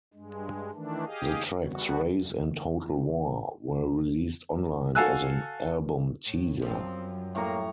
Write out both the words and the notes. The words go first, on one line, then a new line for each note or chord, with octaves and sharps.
The tracks "Raise" and "Total War" were released online as an album teaser.
G2 G#3
D#3 E3 A3 D4
G4 G#4 D#5 F5
G3 B3 F#4
F#4 A4 F5 G#5 E6 F#6
A2
F#2 F3 G3 C4
A2 G3 A#3 C#5 A#5